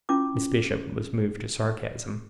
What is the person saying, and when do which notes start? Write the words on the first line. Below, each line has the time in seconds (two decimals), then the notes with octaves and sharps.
Miss Bishop was moved to sarcasm.
0.09 C#4 E4 F4 D6